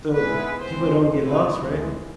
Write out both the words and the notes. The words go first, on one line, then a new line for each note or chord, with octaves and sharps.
So, people don't get lost, right?
G#2 G#3 B3 E4 G#4 B4
F2 C3 G#3 C4 C5
B2 A3 C4 E4 B4
D2 C3 E3 G#3